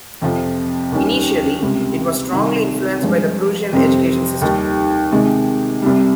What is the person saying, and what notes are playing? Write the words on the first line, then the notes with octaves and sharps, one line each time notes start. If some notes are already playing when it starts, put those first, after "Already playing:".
Initially, it was strongly influenced by the Prussian education system.
F2 C3 F3
D#2 D#3 G3 C#4
C#2 C3 G3
C2 C3 D#3
G2 F3 G#3
F2 C3 G3 C4
D#2 D#3 G3
C3 D#3 G#3
C2 C3 G3